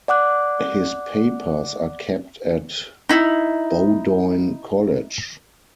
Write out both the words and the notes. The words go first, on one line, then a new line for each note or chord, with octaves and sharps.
His papers are kept at Bowdoin College.
D5 F#5 D6 F#6
D#4 E4